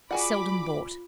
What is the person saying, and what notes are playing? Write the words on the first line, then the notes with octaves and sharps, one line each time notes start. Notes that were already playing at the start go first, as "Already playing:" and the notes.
Seldom bought.
F4 F#4 G#4 D5 F#5 G#5 B5 D6